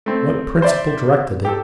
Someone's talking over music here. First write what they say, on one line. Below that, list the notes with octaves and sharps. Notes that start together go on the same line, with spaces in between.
What principle directed it?
A3 C4
C5 D5 E5
G4 A4 E6